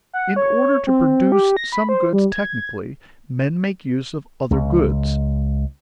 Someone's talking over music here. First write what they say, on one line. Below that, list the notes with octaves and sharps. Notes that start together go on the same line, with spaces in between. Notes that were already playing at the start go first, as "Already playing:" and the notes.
In order to produce some goods technically, men make use of other goods.
F#5
C#5
C4
G4
A#6
B5
C5
G3
G#6
C#2